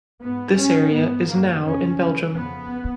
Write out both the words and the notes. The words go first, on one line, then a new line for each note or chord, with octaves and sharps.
This area is now in Belgium.
G#2 B3
G#2 C#4
G#2 B3
F#2 C#3 A#3
F2 C#3 C#4
F2 C#3
F2 C#3 B3